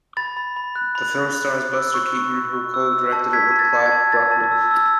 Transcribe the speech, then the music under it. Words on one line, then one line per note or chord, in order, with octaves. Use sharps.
The film stars Buster Keaton who co-directed it with Clyde Bruckman.
B5 A6
B5
B5
F#6
B5
B5
F#6
B5
E6
C#6
C#6
C#6
C#6
E6
E6
A5
E6 G#6 B6
A5
A6
A5
G#6
A5
E6 A6
A5
E6
E6